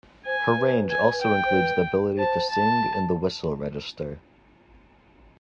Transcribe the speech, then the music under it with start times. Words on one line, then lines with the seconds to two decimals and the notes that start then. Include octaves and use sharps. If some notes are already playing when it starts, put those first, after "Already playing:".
Her range also includes the ability to sing in the whistle register.
0.26 C5 G#5
0.57 B4
0.72 C5
0.85 B4 G#5
0.98 C5
1.12 B4
1.22 G5
1.45 C5
1.54 B4
2.17 C5 A5
2.50 A5